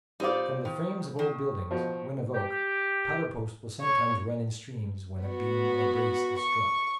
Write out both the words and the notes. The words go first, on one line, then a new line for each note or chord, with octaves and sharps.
From the frames of old buildings, when of oak, powder-post will sometimes run in streams when a beam or brace is struck.
G3 C4 D#4 F4 D5
D#3
D#3
B2 F3
G4
C#5
B3 F#4
C#6